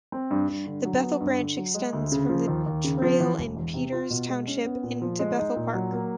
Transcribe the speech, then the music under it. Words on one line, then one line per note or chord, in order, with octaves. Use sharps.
The "Bethel Branch" extends from the trail in Peters Township into Bethel Park.
C4
G2
G2
D3
F#3
B3
G2
D3
F#3
G#3
D2
C#3
F3
D#2
D#2
C#3
F3
E3
E1
E2
C3
F4
B2
G#3
C#4
B3
A#2
F3
G#3
D#4
A#2
F#3
A#3